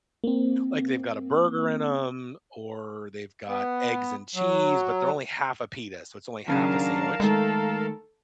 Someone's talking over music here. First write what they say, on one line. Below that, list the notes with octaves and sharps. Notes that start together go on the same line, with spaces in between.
like they've got a burger in 'em or they've got eggs and cheese but they're only half a pita so it's only half a sandwich,
A#3 C4
B3
F#3
D#2 C#3 F#3 C#4 D4 A#4 F5 A5
D#3 G#3 A3 A4